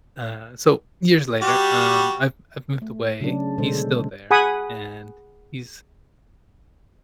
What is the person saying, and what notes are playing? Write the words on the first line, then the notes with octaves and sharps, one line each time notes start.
uh so, years later, um, I've I've moved away, he's still there, and, he's
G3 F#4 G4
A3
C#3 F#3 C#4 D4
B2 D3 G#3 A4 C5
G#4 F#5 G#5 B5 D#6